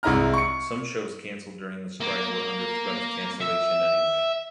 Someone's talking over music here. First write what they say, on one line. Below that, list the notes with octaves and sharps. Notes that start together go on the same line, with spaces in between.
Some shows cancelled during the strike were under threat of cancellation anyway.
C2 G#3 E4 D#5 A#5 F6
C#6 C#7
A#3
E5